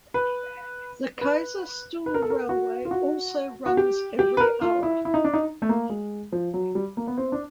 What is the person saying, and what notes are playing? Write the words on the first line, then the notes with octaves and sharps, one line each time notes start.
The Kaiserstuhl Railway also runs every hour.
B4
B4
B4
A#4
A4
A#4
F#4
F4
F#4
F#4
G4
G4
B4
A#4
F4
E4
E4
D#4
D4
D#4
A3
A#3
G#3
F3
F#3
G3
A#3
B3
C4
D4